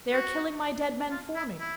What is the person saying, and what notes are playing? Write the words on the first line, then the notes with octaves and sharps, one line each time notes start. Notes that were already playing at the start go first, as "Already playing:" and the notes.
"They are killing my dead men for me."
F#4
F4
E4
E4